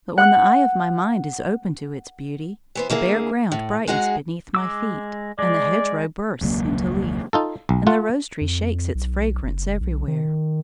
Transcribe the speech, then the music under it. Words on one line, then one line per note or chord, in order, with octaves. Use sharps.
But when the eye of my mind is opened to its beauty, the bare ground brightens beneath my feet, and the hedge-row bursts into leaf, and the rose-tree shakes its fragrance everywhere.
F#5 F#6
E3 B3 C5
D3 A#3 E4 G#4
A2
G#3 D#4 F#4 G#4 C5 F#5
G#3 D6 E6
G#3 D5
E1 C#2 F#3 A#3
D#4 F4 A4
B1
A3 F4 F#5
F2
B1
F#1
B1
D#3